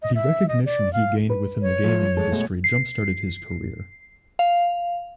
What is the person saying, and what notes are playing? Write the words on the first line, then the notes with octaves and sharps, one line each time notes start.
The recognition he gained within the gaming industry jump-started his career.
D#5
E5
D#5
D5
F5
B4
C#5
F3 A3
G#3 A4
B2 G#3 A3
C7
F5